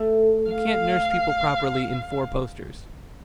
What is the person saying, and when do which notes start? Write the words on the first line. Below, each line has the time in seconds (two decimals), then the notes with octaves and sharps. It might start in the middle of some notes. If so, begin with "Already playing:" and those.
You can't nurse people properly in four-posters.
Already playing: A3
0.51 F5